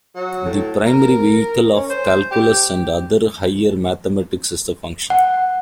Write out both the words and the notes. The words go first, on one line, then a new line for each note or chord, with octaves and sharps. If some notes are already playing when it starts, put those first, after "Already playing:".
The primary vehicle of calculus and other higher mathematics is the function.
F#3
A2
A#4
C#4
C5
G4
F#5